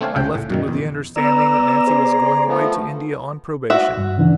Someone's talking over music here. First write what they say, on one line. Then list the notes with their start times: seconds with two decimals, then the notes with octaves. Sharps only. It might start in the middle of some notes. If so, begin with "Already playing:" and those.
I left it with the understanding that Nancy was going away to India on probation.
0.01 A3 C4 D4 C#5 F5 G#5
0.16 C#2 C#3 F#5 G5
0.35 A2
0.50 F#2 A#2 D#3
0.68 E2
1.16 B3 D5 A#5 E6
1.87 G#4 C5 D5
2.48 F3 A3 B3
3.70 F#4 E5
3.97 G2
4.18 C#3 E3 D4